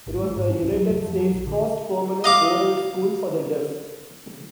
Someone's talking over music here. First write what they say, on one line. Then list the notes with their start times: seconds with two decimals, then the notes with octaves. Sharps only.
It was the United States' first permanent oral school for the deaf.
0.07 G#1
0.24 G#3
0.36 G#2
0.49 C#4
0.62 C2
0.76 F#3
0.89 F1
1.02 F3
1.19 F#3
1.33 A#1
1.47 D3
2.24 D#5 F5 D6